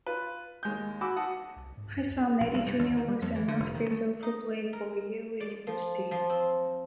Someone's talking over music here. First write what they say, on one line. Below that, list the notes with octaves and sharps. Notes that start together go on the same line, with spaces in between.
His son, Eddie Junior was an outfielder who played for Yale University.
F4 B4
D#2 G#3 G6
F#4 G#5 B5 D6 E6
F#4 F#5 A5 D#6
C2
G#2
F#2
C#2
A#1
C2
G2
D#2
D#3
G3
F2
E3
D3
F1
D#3
A3
D#4
A#4
D5
F3
F3
C4